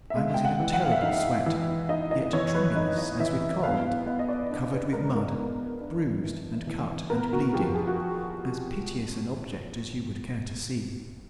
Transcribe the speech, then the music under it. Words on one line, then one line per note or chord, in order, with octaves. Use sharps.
I was in a terrible sweat,--yet tremulous as with cold; covered with mud; bruised, and cut, and bleeding,--as piteous an object as you would care to see.
E5
G#3 F5
G5
F#5
E3
F#5
F5
E5
D#4 F5
E3
D#4 D#5
D#5
E3 C#5
B4
D#4
D#5
E3 E5
B3 F5
F5
B3 D#5
D#5
D5
D4
B4
G#3 A#4
A#4
B3
D4
E3
E3
B3 A#4
F#4
F3 G4
G#4
F#4